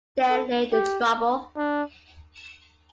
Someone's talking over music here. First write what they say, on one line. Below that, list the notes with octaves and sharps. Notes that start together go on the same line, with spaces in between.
There lay the trouble.
A4
G4
D4